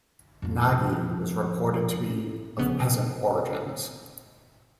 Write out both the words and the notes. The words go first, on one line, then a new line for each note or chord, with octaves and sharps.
Nagy was reported to be of peasant origins.
F2 F3
A#1 C#3 B3